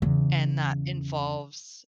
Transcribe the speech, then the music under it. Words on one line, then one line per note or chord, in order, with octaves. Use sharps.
and that involves
E2 C#3